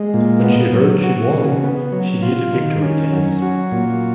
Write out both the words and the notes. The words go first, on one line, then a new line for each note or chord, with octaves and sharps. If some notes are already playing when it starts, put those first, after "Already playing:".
When she heard she won, she did a victory dance.
Already playing: G#3
A#2
B3
F#3
F#4
C#3
B3
F#3
F4
D#3
C#4
F#3
F#4
A#2